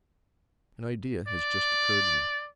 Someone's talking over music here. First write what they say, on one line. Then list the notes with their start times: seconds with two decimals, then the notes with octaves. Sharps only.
"An idea has just occurred to me."
1.28 D5